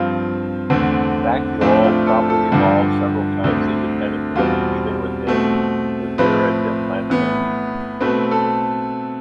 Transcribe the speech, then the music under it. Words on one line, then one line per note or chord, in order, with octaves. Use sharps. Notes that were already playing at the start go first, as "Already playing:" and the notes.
The vacuole probably evolved several times independently, even within the Viridiplantae.
Already playing: G2 F3 C4 F4
E2 D3 A3 C4
A2 F3 A3 C4 D4
F4
A4
A4
G2 D3 F3 G4
D2 D3 A3 C4
E2 B2 G3 C4 F4
B2 A3 C4
A2 F3 C4 B4
A2 E3 B3
B2 A3 C4 B4
A4